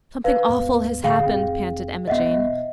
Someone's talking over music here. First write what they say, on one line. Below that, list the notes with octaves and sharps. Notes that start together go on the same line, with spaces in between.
"Something awful has happened," panted Emma Jane.
B4 F5
D#2 G#2 B3
A1 A2 D3 G#4 F5 G5
F1 C4
E1 B1 B3 D#5 E5 F#5